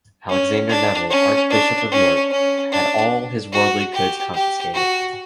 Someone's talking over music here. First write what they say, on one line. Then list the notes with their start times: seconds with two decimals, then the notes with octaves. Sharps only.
Alexander Neville, Archbishop of York, had all his worldly goods confiscated.
0.30 C#4
0.69 D4
1.10 C#4
1.51 D4
1.91 C#4
2.32 C#4
2.72 D4
3.53 F#4
3.94 G4
4.34 G4
4.74 F#4